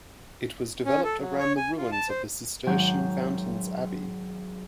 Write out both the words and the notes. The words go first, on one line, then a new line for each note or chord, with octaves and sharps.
It was developed around the ruins of the Cistercian Fountains Abbey.
C#4
A4
F#3
C#5
G#5
F4
A5
C5
G#1 F#3 F#5 A#5 G6